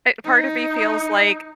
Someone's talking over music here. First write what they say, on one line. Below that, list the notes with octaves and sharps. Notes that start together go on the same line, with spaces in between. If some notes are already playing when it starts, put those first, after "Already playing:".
eh part of me feels, like,
D#4